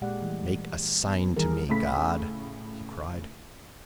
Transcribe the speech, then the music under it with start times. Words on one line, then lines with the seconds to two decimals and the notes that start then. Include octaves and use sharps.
"Make a sign to me, God," he cried.
0.02 A#2 G#3 G4 D5 F#5
0.22 E3 G3 A3
1.07 B3
1.37 D#3 E3 G3 G#4 A#4
1.69 A2 C#3 A3 B5 B6